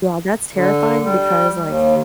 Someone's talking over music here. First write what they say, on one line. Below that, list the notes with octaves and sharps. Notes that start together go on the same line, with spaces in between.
Yeah, that's terrifying because, like,
D3
G3
D#2